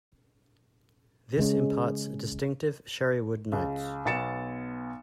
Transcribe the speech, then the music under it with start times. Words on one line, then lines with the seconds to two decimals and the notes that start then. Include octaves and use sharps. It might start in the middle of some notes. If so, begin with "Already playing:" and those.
This imparts distinctive sherry wood notes.
1.37 C#3 G#3 C#4
3.52 C#2
4.05 B1 B3 A6 C#7 E7